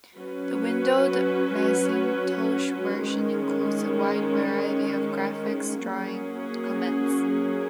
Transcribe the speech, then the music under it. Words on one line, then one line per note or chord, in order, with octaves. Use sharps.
The "windowed" Macintosh version includes a wide variety of graphics drawing commands.
F#3 C#4 F#4 B4
D#3 G#3 C#4
F#3 A#3 C#4 G#4